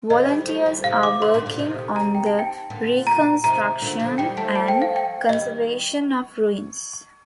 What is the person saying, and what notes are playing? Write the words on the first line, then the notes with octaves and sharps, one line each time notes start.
Volunteers are working on the reconstruction and conservation of ruins.
D3 F3 D#5
D#3 G3
F3 A3
D#3 G3
C3 D#3 F5
D6
C3 D#3 C6
A#2 D3
A#2 D3
C3 D#3
A#5
G5
A5
G5
A#2 D3
A#5
C3 D#3 A#5
A#2 D3
D3 F3
D#3 G3 G5
F3 A3 A5
A5
G5
F5
G5
D#3 G3 D#5